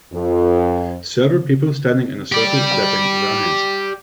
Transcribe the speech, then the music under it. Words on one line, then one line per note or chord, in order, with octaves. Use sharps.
Several people standing in a circle clapping their hands.
F2
G4 D5